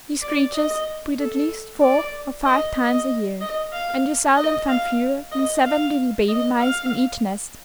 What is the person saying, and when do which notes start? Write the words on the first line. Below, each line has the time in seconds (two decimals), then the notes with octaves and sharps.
These creatures breed at least four or five times a year; and you seldom find fewer than seven little baby-mice in each nest.
0.22 D5
0.54 D#5
1.18 A4
1.81 D5
2.45 D#5
2.77 D#5
3.41 D#5
3.73 F5
4.36 D#5
4.68 F5
5.31 D#5
5.64 F5
6.28 D#5
6.59 F5